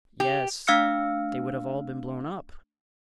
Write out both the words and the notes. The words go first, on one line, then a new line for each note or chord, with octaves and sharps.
"Yes, they would have all been blown up."
G4
A3 D4 F5 E6 F6 C#7